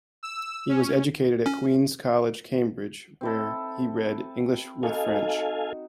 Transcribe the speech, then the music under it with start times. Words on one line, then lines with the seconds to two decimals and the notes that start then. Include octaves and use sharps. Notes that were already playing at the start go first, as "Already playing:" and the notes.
He was educated at Queens' College, Cambridge where he read English with French.
0.23 E6
0.69 C#4
1.46 C#4
3.21 C4 E4 A4
4.83 D#4 F#4 A4 F5 G#5 A#5